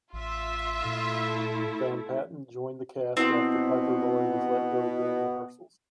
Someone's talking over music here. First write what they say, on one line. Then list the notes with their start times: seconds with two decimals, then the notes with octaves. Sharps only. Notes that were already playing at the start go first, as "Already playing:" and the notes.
Van Patten joined the cast after Piper Laurie was let go during rehearsals.
0.13 A1 F4 E5
0.85 A#2 A3 E4
3.17 B2 B3 C4 E4